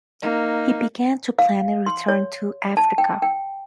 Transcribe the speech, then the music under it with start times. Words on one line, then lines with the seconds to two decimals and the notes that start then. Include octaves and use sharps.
He began to plan a return to Africa.
0.23 A#3 D#4
1.39 F5
1.86 C6
2.08 C#5
2.77 A5
2.98 G5
3.22 G5